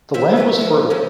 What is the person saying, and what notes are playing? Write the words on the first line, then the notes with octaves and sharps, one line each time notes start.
The land was fertile.
E3 C4 E5
A3 A4 B4 D5
F3 A4
C#3 F3 C4